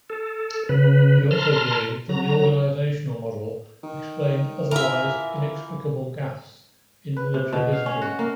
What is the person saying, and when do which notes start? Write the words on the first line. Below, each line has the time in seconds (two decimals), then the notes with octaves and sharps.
He also believed that the organizational model explained otherwise inexplicable gaffes in military history.
0.10 A4
0.69 C#3 B4
1.31 A5 A#5 C6 F6
2.09 F#3 A#5
3.83 D#3
4.71 E3 F4 A#4 E5
7.17 B4
7.34 C3
7.53 B2
7.73 F5
7.86 C#4
8.02 F#4
8.19 A#3